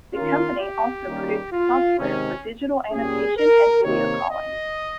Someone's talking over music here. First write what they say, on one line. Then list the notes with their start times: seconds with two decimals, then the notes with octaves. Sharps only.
The company also produces software for digital annotation and video calling.
0.13 D#3 A#3 C#4 F4
0.60 G4
1.05 D#3 G3 A#3 C#4
1.52 F4
1.98 C3 D#3 G#3 C#4
2.91 A#2 G3 C#4 G#4
3.37 A#4
3.84 C3 D#3 A#3 C#5
4.30 D#5